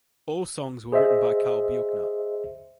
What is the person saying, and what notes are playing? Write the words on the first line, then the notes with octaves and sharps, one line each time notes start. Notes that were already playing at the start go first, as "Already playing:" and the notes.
All songs written by Karl Buechner.
G#4 C5 D#5 E5